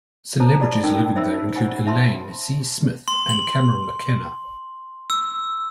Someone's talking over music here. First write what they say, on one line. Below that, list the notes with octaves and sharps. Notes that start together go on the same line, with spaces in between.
Celebrities living there include Elaine C. Smith and Cameron McKenna.
A4 C5 A5 A#5
F#4 A4 D5 A5 B5
C#4 D#4 A4 A#4 G5
D#4 C5 E5 B5 E6
C5 F#5 G#5 B5
E5 A5 B5 C6
C6
F#7
E6